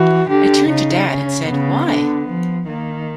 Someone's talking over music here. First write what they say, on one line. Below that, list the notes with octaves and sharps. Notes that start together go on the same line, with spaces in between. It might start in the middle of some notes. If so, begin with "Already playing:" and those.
I turned to Dad and said why?
Already playing: E3 F#4
D3 G4
C#3 D#4
C#4
C#3 B3
D3
F3
D#3 A#3